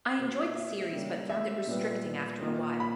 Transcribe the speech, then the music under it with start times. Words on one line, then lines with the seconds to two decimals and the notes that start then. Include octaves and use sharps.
I enjoyed the series but found it restricting after a while.
0.18 B2 A#3
0.55 E5
0.93 C#3 G3 A#3
1.30 E5
1.67 A#2 G3 B3
2.42 A#2 A#3
2.80 B5